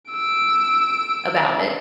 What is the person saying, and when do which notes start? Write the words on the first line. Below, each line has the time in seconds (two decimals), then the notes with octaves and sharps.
about it.
0.12 E6 D7